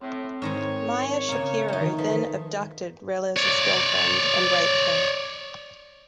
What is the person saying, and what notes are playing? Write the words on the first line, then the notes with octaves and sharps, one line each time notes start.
Meyer Shapiro then abducted Reles' girlfriend and raped her.
A2 C4
G#2 D#3 G#3 C#5
C#3 A#3
A3 D#4 E5 A#5
D#3
F3 D#4 A4 B4
C#5 D5